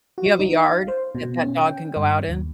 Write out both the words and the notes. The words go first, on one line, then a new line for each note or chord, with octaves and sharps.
You have a yard that that dog can go out in?
F#4
D#4
F5
C5
B2
C#4
G5
G2
D#2